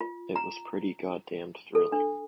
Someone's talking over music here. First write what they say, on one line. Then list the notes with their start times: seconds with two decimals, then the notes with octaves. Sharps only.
It was pretty goddamned thrilling.
0.01 F4
0.36 A#5
1.75 A4
1.92 D4